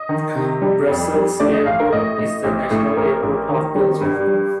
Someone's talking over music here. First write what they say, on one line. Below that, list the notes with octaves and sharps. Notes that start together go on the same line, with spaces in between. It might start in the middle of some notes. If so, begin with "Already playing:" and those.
Brussels Airport is the national airport of Belgium.
Already playing: D#5
D#3
C3
G3
F2
G3
A3 D5
D#5
A1 F5
A#4
A2 D#5
A2
A1
A2
A1 A#4
A1
D#3
G3
G2
G3